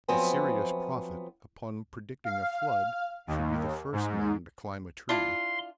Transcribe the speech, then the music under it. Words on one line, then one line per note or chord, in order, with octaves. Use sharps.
A serious prophet upon predicting a flood should be the first man to climb a tree.
F3 F#3 B3 C4 E5 G#5
F5
D#2
G#2
D4 E4 F4 C6